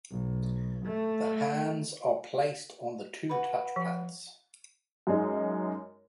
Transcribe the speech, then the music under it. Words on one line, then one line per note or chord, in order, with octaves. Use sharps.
The hands are placed on the two touch pads.
B1
A3
F#4 B4
F3
F#2 G#3 D#4